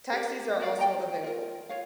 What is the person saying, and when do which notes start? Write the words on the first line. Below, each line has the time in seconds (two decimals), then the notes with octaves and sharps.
Taxis are also available.
0.13 G4 A#4 D5
0.60 F#4 A#4 D5 F5
0.79 D5 G5 A#5
1.23 F4 A#4
1.69 F4 C#5 F5